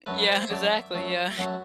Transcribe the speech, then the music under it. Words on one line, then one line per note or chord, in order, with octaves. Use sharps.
Yeah, exactly, yeah.
F#2 F#3 A3 B4
B4
C5
E5
F#2 F#3 A3 D5
E5
F#2 F#3 A3
E5
F#2 F#3 A3 F#5